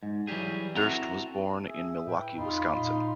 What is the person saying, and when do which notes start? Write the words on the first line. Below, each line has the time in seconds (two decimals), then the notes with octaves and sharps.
Durst was born in Milwaukee, Wisconsin.
0.03 G#2
0.27 E3 F#3 G3 G4 G#4
0.75 C4 E4 F#4 A4 A#5
1.67 G#4 E5
2.07 A2 B4 G5
2.38 F2 D#4 F4 B5 C6
2.75 A#2 D#4